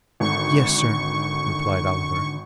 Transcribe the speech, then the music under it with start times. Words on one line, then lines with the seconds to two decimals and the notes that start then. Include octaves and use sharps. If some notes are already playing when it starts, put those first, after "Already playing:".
'Yes, sir,' replied Oliver.
0.20 G#1 D3 C#6